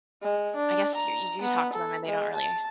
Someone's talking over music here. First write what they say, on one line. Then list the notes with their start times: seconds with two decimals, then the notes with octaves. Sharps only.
I guess you you do talk to them and they don't really
0.22 G#3
0.56 D4
0.95 A#5
1.42 B3
1.73 A4
2.06 G#3
2.35 A5